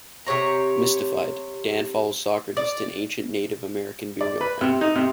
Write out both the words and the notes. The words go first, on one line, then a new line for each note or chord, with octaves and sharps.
Mystified, Dan follows Socrates to an ancient Native American burial ground.
C3 G4 C#5 A#5
D5
D5
B4
C3
D#4
C3